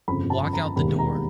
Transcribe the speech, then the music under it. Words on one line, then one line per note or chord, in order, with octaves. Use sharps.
Walk out the door.
G1 F2 C#3 F3 B5
A5
A#5
E1 D#2 D#3 G3 B5
A#5